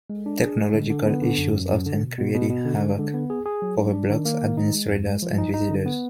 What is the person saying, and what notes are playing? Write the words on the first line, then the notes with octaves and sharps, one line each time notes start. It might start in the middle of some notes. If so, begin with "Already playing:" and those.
Technological issues often created havoc for the blog's administrators and visitors.
G#3
D4
G#4
G#3
D3
D3
B3
D3
F#2
F#2
F#2
D3
B2
B2
B2
B2
D3
G#3
D3
B3
G#4
G#4
F#3
D4
D4
D#3
A#3
D#3
D#4
G#3
F2
G#3
F3
D#4
D#4
D3
B3